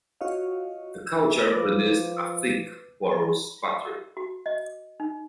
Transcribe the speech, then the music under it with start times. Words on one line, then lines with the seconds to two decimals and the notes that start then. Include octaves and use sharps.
The culture produced a thick, porous pottery.
0.21 F4 F#4 C#5 D#5 F5
1.51 F3 B4 D6
4.17 F#4
4.46 D#5
5.00 D#4